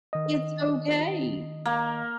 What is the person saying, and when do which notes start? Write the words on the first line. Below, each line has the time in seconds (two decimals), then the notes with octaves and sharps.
it's okay,
0.13 D#3 D#5
1.65 A#3